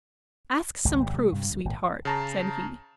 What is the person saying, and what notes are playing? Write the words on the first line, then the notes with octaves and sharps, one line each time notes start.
'Ask some proof, sweetheart,' said he.
G#1 C#2 G#3
G#1 C3
C3 E3 G#3
G2 C3
D2
G#1 A#2
C#3 A5 A#5